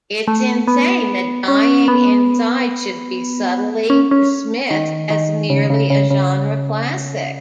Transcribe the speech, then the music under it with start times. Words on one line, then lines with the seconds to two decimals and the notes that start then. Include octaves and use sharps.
It's insane that 'Dying Inside' should be subtly dismissed as merely a genre classic.
0.28 A3
0.68 B3
1.48 C#4
1.88 B3
3.90 C#4
4.11 C#4
4.71 D#3
5.10 D#3
5.50 C#3
5.70 C#3
5.90 C#3
6.11 C#3